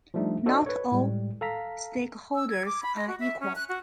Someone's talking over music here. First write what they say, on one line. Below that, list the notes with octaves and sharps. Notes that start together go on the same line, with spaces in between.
Not all stakeholders are equal.
F3 G3 A3 D4 D#4
D#4 F#4 A4 C5 D5 D#5
B4 C#5
A2 G3 G#3
A4 F5 A#5 B6
E6
G#6
D6
B5
D#5
F#4
E5
C#4
F#6
F#4